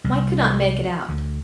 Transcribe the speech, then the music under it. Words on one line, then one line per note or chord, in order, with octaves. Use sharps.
Mike could not make it out.
C2
D2